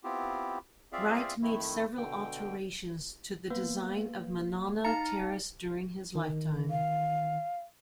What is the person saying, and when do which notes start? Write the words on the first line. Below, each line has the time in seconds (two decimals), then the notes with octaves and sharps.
Wright made several alterations to the design of Monona Terrace during his lifetime.
0.04 B3 C4 E4 F4 G4
0.92 C4 F4 G#4 D5 E5 F5
1.42 F2 D#3 A3 E4
1.98 B2 D3 G5
3.50 A#3 B3
4.85 D#4 F5 A5 A#5 C#7
6.15 D#3
6.70 F5